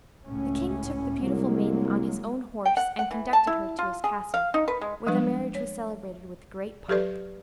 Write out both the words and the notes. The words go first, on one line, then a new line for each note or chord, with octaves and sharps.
The king took the beautiful maiden on his own horse and conducted her to his castle, where the marriage was celebrated with great pomp.
C#2 A2 C#4
C2 F#3 G#3 A#3
G5
F#5
F#5
E3
A5
E4
F4
G#4
F5
D#4
B4
G#3
F3 G3 G#3 D4 B4
C#5
F#3 G4 A4 B4 D5